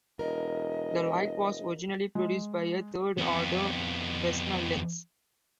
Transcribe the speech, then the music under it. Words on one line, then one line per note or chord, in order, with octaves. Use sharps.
The light was originally produced by a third-order Fresnel lens.
E1 A#4 D#5
G#3
F2 B3